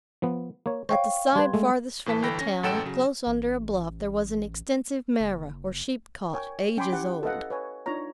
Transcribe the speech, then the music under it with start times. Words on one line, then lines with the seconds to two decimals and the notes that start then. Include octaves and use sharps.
At the side farthest from the town, close under a bluff, there was an extensive marah, or sheepcot, ages old.
0.22 F3 B3
0.66 A#3 C#5
0.89 C5 C#5 F5 G5 C#6
1.35 G3 B4 C6 G#6
1.53 G#3 A3
2.06 A2 E3 A5 B6
2.22 G1 E3 A4 G5 B5 A#6
2.39 C#4 A#6
2.63 A1 F#2 A4 F#5 G5 E7
2.85 C#3 F#3
3.26 A1
5.20 F#1
6.33 A#4 C#5 G5 G#5
6.77 C#4 G5 G#5 B5 C6 D6
6.93 E4 G4 F#5
7.23 A4 B4 D#5 F5 F#5
7.50 B4 C#5 G#5
7.86 D4 D#4 F4 C#5 A#5